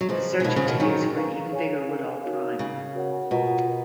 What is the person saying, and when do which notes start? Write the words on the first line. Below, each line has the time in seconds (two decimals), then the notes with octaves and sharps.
The search continues for an even bigger Woodall prime.
0.01 F#3
0.09 C#3 F3 G#4 B4 D#5
0.40 C#3
0.44 B2 D#3 C#5 F5 B5
0.56 C#3 F3
0.68 B2 D#3
0.80 D#3 F#3 G#4 C#5 G#5 C#6
1.16 B4 F5 A#5 C#6
1.52 G#4 C#5 F5 G#5
1.88 A#4 F5 G#5
2.23 D#4 F#4 C#5 F5
2.59 C#3 A#4 F5 G#5
2.95 F#4 A#4 C#5 F#5
3.30 B2 F4 B4 D#5 F#5 A#5
3.66 F#4 A#4